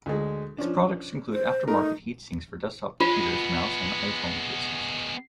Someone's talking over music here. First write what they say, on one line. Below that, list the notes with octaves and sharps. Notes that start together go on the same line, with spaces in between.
Its products include aftermarket heat sinks for desktop computers, mouse and iPhone cases.
D2 G#3
F3 C#4 D4
C5
A3 D#4 A#4
G#3 B3 F4